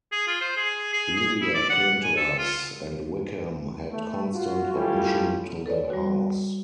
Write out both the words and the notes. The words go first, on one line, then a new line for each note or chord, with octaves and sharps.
Lydia came to us; and Wickham had constant admission to the house.
G#4
F4
C5
G#4
G#4
G#4
E4
D5
F#5
G#5
A4
F4
A3
F4 F#4
G3 A3 C#4 E4 F4 A4
A4 B4 C#5 D5
G3 F#4